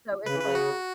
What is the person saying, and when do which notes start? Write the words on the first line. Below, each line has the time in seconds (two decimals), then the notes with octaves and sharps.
So, it's like
0.26 C#3 B4
0.33 E3
0.40 C#3 B4
0.55 F#4